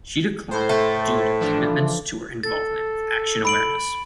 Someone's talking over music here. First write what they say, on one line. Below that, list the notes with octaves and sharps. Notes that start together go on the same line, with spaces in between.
She declined due to commitments to her involvement with Action Awareness.
A2 C5
A3
E3 F3 D4
A4 A6
B5 D7 F#7